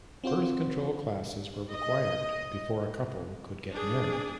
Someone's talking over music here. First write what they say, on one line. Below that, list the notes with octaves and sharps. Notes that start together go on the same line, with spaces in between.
Birth control classes were required before a couple could get married.
C4 F4 F#4 C5
D#5
D4 G#4